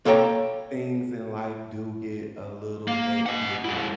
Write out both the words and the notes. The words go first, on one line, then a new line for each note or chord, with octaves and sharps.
things in life do get a little hectic and
A#3 A4 C#5 G5 A#5
A#3
D#5 F#5
G#3 E4